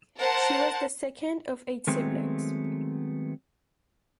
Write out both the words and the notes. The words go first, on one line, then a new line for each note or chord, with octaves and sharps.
She was the second of eight siblings.
A#4 C5 F#5 A5
D#3 F#3 G#3 A3 B3 C4